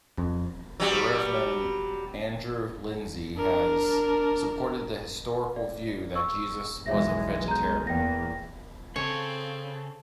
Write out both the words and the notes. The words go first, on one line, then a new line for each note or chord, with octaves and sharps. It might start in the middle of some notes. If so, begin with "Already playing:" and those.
The Reverend Andrew Linzey has supported the historical view that Jesus was a vegetarian.
F2
F#3 G3
D4 A#4
D5
C#6 E6
B1 E3 G#3 C#5 E5 A#6
A#5 G6
E2 A#3 G5 A#6
C#3 C4 A4 C#5